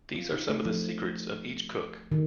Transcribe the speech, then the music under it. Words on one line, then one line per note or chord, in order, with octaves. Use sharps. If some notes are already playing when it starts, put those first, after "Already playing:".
These are some of the secrets of each cook.
F4
D#4
A3
F3
D#3